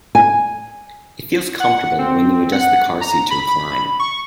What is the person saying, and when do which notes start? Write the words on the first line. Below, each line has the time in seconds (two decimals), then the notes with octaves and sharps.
It feels comfortable when you adjust the car seat to recline.
0.15 G#5
1.60 F#5
1.99 C4
2.52 F#5
3.01 A#5
3.30 B5
3.99 C#6